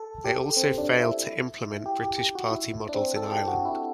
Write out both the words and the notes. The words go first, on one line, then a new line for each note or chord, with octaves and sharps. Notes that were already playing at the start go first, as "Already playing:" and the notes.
They also failed to implement British party models in Ireland.
Already playing: A4
G4
C4
D4
E4
G4
G4
G4
F#4
E4
D4
C4
A4
G4
F#4
E4